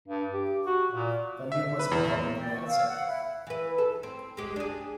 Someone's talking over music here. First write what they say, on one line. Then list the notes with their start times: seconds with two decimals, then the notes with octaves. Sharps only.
Funding was a problem from the outset.
0.08 G2
0.33 G4
0.66 F#4
0.92 A#2
1.52 E5
1.79 B4
1.92 E2
2.37 D5 G5
2.52 C#6
2.67 F5 E6
2.88 F#5
3.07 E4
3.47 E3 B4
3.78 A4
4.03 C4
4.37 G#3 G4
4.56 D4 G#4